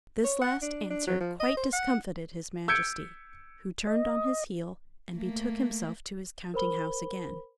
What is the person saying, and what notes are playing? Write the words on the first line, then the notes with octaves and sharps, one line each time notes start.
This last answer quite discomfited his Majesty, who turned on his heel, and betook himself to his counting-house again.
C#5
F#5
D4
D4
F#3
F3
D#5
C5
F#5
E6 G6 G#6 C#7 D7
D#5
A3 A#3
A#4 C5 B5 G7